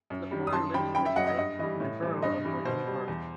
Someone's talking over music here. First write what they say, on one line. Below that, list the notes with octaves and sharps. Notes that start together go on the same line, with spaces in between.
Lepore lives with his wife in the Borough of Woodland Park.
F#2
D#3 G3
D#6
F#2 A5 C6
D#3 G3 G5 B5
F#2 G5 B5
E5 G5
F#3 D#5 F#5
D#5
G2 D#5
E3 G3 D#5
A2
E3 G3
G2 D#5
E3 G3
B2 C5
G3
E2